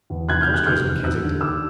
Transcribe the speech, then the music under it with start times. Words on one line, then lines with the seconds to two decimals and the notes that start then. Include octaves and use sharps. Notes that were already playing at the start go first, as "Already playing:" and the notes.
The first was in Kensington.
0.10 E2
0.29 F1 F#6 G#6
0.41 F6 G6
0.48 D#2
0.54 F#6 G#6
0.66 F1 F6 G6
0.85 E2
1.04 D#2 E6 F#6
1.23 D3
1.41 D#2 D6 E6